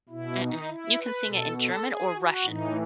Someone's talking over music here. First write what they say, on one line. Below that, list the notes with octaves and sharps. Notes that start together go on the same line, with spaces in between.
Mm-mm, you can sing it in German or Russian,
B2 E4
D#4
E4
B4
B2 A4
A4
G#4
F#4
A2 E3 D#4